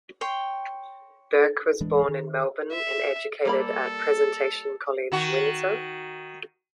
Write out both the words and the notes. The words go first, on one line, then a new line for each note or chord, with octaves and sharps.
Burke was born in Melbourne and educated at Presentation College, Windsor.
C#5 G5 C6
D1 E3 G#3 D4
D#3
E5
G3 A#3 A4 B5
D#3 F#4